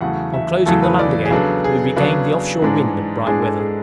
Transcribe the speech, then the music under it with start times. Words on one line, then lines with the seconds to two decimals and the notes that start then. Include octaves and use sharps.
On closing the land again, we regained the off-shore wind, and bright weather.
0.01 E2 C#3 F#3 A3 F#5
0.34 E5
0.66 E2 C#3 F#3 A3 A4
0.83 B4
0.99 D5
1.25 G#4
1.31 C#3 F#3 B3 D4 A4
1.64 G#4
1.96 C#3 F#3 B3 D4
2.62 G#2 E3 G#3 D4
3.26 G#2 E3 G#3 D4 G#4
3.42 A4
3.59 G#4